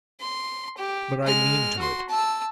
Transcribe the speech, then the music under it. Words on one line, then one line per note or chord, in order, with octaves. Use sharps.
But I mean to it.
C6
G4
G#3 F6
F#4 C6
A5 E6